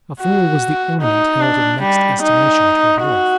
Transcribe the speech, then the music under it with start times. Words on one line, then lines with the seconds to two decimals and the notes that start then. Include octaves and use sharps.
A fool was the ornament held in next estimation to a dwarf.
0.21 F#4
1.01 D#4
1.41 D4
1.81 G3
2.22 D#4
3.03 F#4